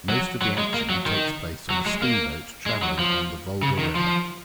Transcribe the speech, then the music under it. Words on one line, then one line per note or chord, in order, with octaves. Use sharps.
Most of the action takes place on a steamboat travelling on the Volga River.
F#3
F#3
G#3
A#3
F#3
D#3
F#3
G#3
A#3
G#3
F#3
F3
C#3
D#3
F3